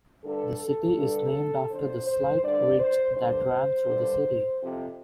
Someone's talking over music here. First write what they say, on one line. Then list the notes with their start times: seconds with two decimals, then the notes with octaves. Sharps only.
The city is named after the slight ridge that ran through the city.
0.25 G2 D3 A4
0.98 G2 D3
1.70 F2 D3 C5
2.07 C5
2.43 G2 D3 D5
2.79 C5
3.16 G2 D3 C5
3.88 G2 D3
4.62 F2 C3